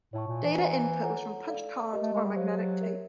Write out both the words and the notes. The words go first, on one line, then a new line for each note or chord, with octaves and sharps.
Data input was from punched cards or magnetic tape.
A2 C#5 E5 A5 C#6
A#2
E3
C5 F5 A#5
F4 A4 C#5 F#5 A#5
A4 D5 F5
G4 A#4 D#5
A3
G#3
G3
F#3 G4 C5 F5
A#4 C#5 E5